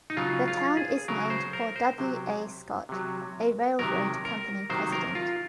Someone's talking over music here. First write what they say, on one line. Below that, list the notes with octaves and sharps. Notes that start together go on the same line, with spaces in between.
The town is named for W. A. Scott, a railroad company president.
D#4
C#3 F#3 F4
F4
G#4
C#3 F#3 A#4
C5
A#4
C5
C3 F#3
C3 F#3
C3 D#3 F#3 A#4
A#4
C3 D#3 F#3 C5
A#4
F4